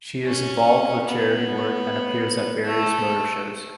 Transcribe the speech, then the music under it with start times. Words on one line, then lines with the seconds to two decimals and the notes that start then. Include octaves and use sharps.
She is involved with charity work and appears at various motor shows.
0.25 C#4
1.04 B3
2.64 A3